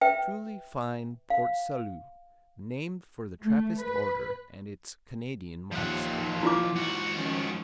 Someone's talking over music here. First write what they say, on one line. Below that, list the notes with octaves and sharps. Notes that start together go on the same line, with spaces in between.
Truly fine Port-Salut named for the Trappist order and its Canadian monastery.
B4 E5 G5
F5
A3
B4
D#2 A#2 F3 F#5
E4 F4 D6
G#2 F#4
D#3 F3 C#4